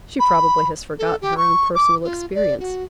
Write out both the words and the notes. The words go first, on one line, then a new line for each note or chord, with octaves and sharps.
She probably has forgotten her own personal experience.
B5
A4
G4
C#6
D6
F4
D5
F#4